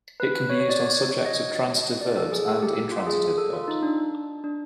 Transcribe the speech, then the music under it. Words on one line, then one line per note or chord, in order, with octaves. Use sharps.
It can be used on subjects of transitive verbs and intransitive verbs.
B4
C#5
C#5
D5
C#5
C#5
D#5
D5
A4
G#4
A4
G4
F4
G#4
A4
F4
D#4
D4
D4